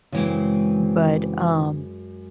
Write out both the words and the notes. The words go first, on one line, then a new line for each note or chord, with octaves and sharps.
But, um,
F#2 C#3 E3 G#3 C4